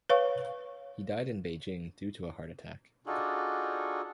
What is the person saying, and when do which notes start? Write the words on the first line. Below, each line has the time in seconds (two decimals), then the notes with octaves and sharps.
He died in Beijing due to a heart attack.
0.09 B4 C#5 F5 C#6
3.07 D4 D#4 F4 F#4 G#4 A4